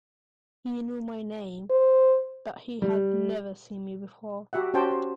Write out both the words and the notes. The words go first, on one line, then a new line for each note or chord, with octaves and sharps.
He knew my name, but he had never seen me before.
C5
G3
F#4 G4 E5 F#5
C#4 F#4 G4 C5 G5 A5
C5